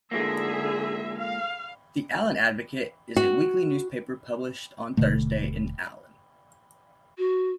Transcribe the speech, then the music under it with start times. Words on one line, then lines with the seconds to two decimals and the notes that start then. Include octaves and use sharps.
The "Allen Advocate" is a weekly newspaper published on Thursday in Allen.
0.11 G#2 D3 F3 A#3 G#4 E5
1.17 F5
3.17 F#4
4.97 D#1 B2 D3 A3
7.18 F#4